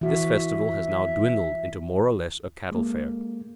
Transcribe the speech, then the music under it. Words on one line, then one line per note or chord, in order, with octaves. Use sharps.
This festival has now dwindled into more or less a cattle fair.
E3 F#4 E5
G#3 A#3